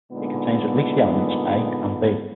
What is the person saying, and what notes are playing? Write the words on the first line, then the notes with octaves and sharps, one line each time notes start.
It contains at least the elements "a" and "b".
A#2 D3 G#3 B3 D#4